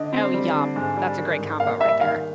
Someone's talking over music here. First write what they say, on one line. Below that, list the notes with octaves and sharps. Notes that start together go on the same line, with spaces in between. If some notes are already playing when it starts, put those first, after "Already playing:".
Oh, yum. That's a great combo right there.
Already playing: D3 D#5
C4
G3
D3
G#2
G3
D#3
G#2
A#3 F5
G3 E5
D#3 F5